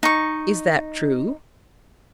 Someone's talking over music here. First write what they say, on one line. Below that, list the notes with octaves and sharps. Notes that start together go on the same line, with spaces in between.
Is that true?
D#4 C#6